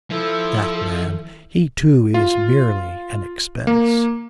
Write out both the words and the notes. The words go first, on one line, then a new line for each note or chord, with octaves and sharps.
'That man--he, too, is merely an expense.'
F3 E4 A4
F4
A#3